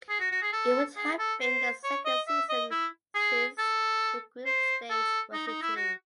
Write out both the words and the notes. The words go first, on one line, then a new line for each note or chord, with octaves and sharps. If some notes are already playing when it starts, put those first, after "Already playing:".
It would have been the second season since the group stage was introduced.
G#4
F#4
F#4
G#4
A4
G#4
A4
C5
C#5
D#5
E5
D#5
E4
G#4
A4
C5
A4
D#4
D#4
E4
F#4